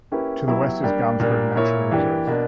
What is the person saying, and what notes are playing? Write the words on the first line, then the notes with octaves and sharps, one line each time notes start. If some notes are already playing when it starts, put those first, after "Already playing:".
To the west is Gamsberg Nature Reserve.
A#3 C#4 E4 G4 B4
F#3 B3 E4 G4
G3 A#3 D4 G4
A#2 G3 A#3 D4 A#4
A#2 A#3 E4 A#4 C#5
E3 A#3 D4 G4
B2 A#3 D4